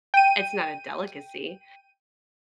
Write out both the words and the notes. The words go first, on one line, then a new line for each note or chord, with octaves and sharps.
it's not a delicacy.
G5 D#7